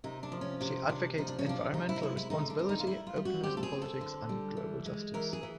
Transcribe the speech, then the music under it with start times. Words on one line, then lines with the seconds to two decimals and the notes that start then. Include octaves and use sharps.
She advocates environmental responsibility, openness in politics, and global justice.
0.04 C3 D#4
0.23 D4
0.32 F3
0.41 C#4
0.61 C3 C#4
0.89 C3 D4
1.18 F3 D#4
1.28 D4
1.39 C#4
1.46 F3 D4
1.74 C3 D#4
1.89 E4
1.96 D#4
2.03 G#3 E4
2.17 E4
2.30 D3 D#4
2.50 D4
2.59 C4
2.69 D#4
2.79 F4
2.87 G3 E4
3.07 F4
3.16 G3
3.25 F#4
3.43 C4 G4
3.57 A4
3.63 G#4
3.73 C4
3.82 A4
4.01 D3
4.29 G3
4.57 E3
4.86 G#3
5.14 E3 A#4
5.33 G#4
5.43 E3